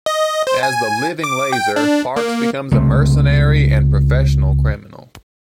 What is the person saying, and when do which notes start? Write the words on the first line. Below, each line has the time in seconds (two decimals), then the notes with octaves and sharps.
As the "Living Laser", Parks becomes a mercenary and professional criminal.
0.06 D#5
0.47 C5
0.63 G#5
1.24 D6
1.52 G5
1.76 D4
2.16 A#3
2.71 C#2 C3 A3